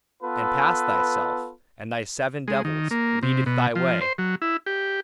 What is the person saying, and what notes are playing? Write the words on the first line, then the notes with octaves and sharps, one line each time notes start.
And past thyself and thy seven devils leadeth thy way!
B3 F4 A4 B4
G#3
D#3
A#3
C3
B2
F3
C5
F#3
E4
G4